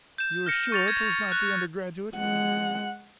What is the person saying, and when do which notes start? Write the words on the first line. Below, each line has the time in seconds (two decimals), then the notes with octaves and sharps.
"You are sure 'twas not the undergraduate?"
0.18 G6 E7
0.46 F6 A#6 C#7
0.72 C#6 A6 F7
0.88 G#6
1.32 F#6
2.16 G#3 F#5